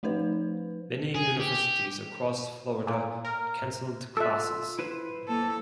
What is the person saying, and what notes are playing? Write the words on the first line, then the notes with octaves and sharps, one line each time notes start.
Many universities across Florida canceled classes.
F3 A3 D#4 B4 C5
G#4
G4
A#2
A#4
F4 A4 E5 E6 F#6
E4 B4 C5
A#3 A4 A5